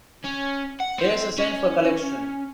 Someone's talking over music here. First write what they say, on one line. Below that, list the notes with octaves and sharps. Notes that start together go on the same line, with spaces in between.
Here’s a cent for collection.
C#4
F#5
C4
C#4